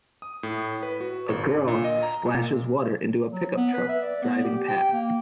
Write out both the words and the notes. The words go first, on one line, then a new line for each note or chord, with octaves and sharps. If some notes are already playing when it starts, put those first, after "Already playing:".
A girl splashes water into a pickup truck driving past.
D#6
A2
B4
F#4
G#1
D3
A#2
D#5
A#5
A#2
F#3
B3
B4
E5
D5
B3
G4
G5
A#3